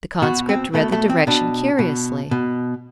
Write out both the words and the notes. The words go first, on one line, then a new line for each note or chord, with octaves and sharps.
The conscript read the direction curiously.
B2 F#4
C4
B2 A3
A3
C4
B2 D4
B2
B2